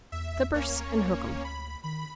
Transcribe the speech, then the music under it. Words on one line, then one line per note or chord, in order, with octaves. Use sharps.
Clippurse and Hookem.
E2 E5
D2 A#3 C#4 C#5
B5
D#3 B5